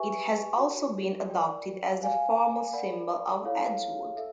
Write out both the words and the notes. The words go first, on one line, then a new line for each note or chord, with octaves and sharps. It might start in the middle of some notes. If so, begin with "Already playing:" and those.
It has also been adopted as the formal symbol of Edgewood.
Already playing: G4 B4 E5 G#5 C#6
F#4 A#4 C#5
A#4 D5 G5
C5 F5 G#5
A#4 D5 F#5 B5
E4 A4 C#5 F5
A4 E5